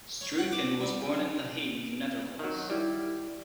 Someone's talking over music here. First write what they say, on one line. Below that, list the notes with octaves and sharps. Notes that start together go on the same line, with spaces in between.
Struycken was born in The Hague, Netherlands.
C#5
F#5
D6
G3
B1
D#3 F#3
G3 E4